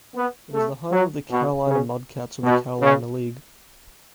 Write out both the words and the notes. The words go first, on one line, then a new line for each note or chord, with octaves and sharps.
It is the home of the Carolina Mudcats of the Carolina League.
B3
A3
F#3
B2
C#3
B2
C#3